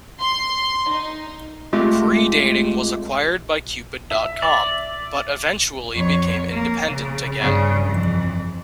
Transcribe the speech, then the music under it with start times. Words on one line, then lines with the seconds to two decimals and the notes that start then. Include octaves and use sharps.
Pre-Dating was acquired by Cupid dot com, but eventually became independent again.
0.20 C6
0.90 D#4
1.73 G#3 A3 C4 F4 G4
4.11 E5
4.42 D5
5.95 F2 C#5
6.52 A#3
6.90 C#3
7.41 G2 C#3
7.87 F2 E3